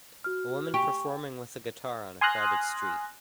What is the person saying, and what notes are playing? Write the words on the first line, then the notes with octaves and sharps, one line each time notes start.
A woman performing with a guitar on a crowded street.
F#4 F6
G4 G#5 C#6
G#5 C6 D#6 F6 F#6 A#6